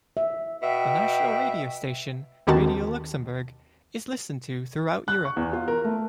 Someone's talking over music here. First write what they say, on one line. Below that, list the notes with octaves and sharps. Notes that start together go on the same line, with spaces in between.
The national radio station, Radio Luxembourg, is listened to throughout Europe.
E5
B2 E5 G5
D#2 D3 D#3 C4 F#4 A5
F#6
C#6
E2
F4
A#4
A3